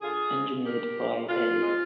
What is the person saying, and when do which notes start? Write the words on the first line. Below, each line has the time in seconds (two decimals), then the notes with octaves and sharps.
Engineered by A.
0.02 D3 F4 G#4
0.35 G#3 C4
0.66 D3 G4 A#4
0.99 G#3 C4
1.30 D3 F4
1.62 G#3 C4